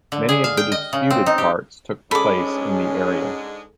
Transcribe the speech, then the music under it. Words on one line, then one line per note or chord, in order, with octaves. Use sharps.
Many of the disputed parts took place in the area.
D3
G#4
F5
G5
D#5
C#3
C4
D#4
G4
G#2 G#3 C#4 D4 G#4 A4 B5 D6